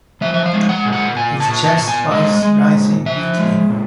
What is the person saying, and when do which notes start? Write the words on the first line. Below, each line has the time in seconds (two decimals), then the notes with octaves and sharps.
His chest was rising weakly.
0.21 F3 E5
0.34 E5
0.46 F5
0.53 G#3
0.69 F#5
0.85 A#2
0.93 F#5
1.17 A#2 G#5
1.40 A5
1.48 A#2
1.64 A5
1.80 A#2
1.87 G#5
2.11 G#3 D#5
2.43 G#3
2.74 A#2
3.06 F3 E5
3.38 G#3
3.69 A#2